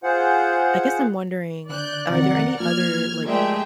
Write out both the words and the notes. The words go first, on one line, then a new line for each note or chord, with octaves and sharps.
I guess I'm wondering, are there any other, like,
F4 G#4 C5 F#5
D3 D5 F#6 G6
F2 C3 D#3 A#4 F#5
F3 A#3 F6 G#6
G#3 A3 F4 G4 A#4 D5 E5 G5